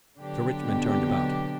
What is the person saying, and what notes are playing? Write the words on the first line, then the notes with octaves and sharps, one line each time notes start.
Sir Richmond turned about.
D3 F#3 B3 D4 G4
B2
C3
B2